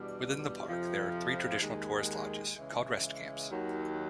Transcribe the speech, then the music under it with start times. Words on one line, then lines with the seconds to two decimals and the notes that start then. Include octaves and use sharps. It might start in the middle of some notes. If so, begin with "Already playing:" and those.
Within the park there are three traditional tourist lodges, called "rest camps".
Already playing: E2 B2 G3 B3 D4
0.67 F2 C3 F3
1.61 D#2 D#3 G#3
2.55 C#3 E3 G#3
3.50 D#2 D#3 F#3